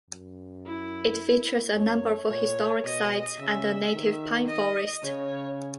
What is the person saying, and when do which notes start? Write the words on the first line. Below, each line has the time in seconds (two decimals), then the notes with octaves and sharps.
It features a number of historic sites and a native pine forest.
0.11 F#2
0.66 E4
1.75 F#2 C#5
2.30 A#2 C#5
2.84 B2 D#5
3.39 C#3 E5
3.93 D#3
4.48 D#5
5.02 C#3 C#5